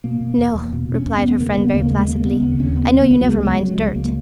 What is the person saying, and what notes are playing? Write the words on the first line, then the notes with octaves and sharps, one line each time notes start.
"No," replied her friend very placidly, "I know you never mind dirt."
B2 A#3
B2
E2
E2
B2
B2
C#4
E2
B3
E2
C#3 A#3
C#3 B3
D#2 A#3
D#2 G#3
C#3 A#3
C#3 B3
D#2 B3
D#2 C#4
C#3 B3
C#3 B3
C#2 B3
F#3
C#2 G#3
C#3 G#3
C#3 F#3
C#2 G#3
C#2 A#3